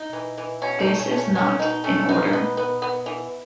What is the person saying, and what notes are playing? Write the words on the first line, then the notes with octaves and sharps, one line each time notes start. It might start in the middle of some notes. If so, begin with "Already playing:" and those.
This is not in order.
Already playing: D#4
E3
E3
B2 C#4
D#4
A3
C#4
A3
C#4
B2 C#4
B2 D#4
A3 C#4
B3 D#4
B3
B3
B3
E3